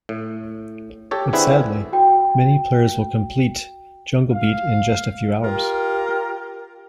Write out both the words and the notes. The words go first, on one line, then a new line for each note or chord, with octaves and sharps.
But sadly, many players will complete "Jungle Beat" in just a few hours.
A2
G4 A4 C#5
D3 C4 E4 G#4 B4
F#4 G5
F5
F4 G4 A#4